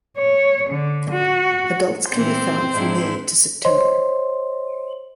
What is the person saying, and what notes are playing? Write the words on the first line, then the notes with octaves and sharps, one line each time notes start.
Adults can be found from May to September.
C#5
D3
F#4
A#2 E3 C4 C5
G#2 D4 E4
C5 C#5 D#5 C6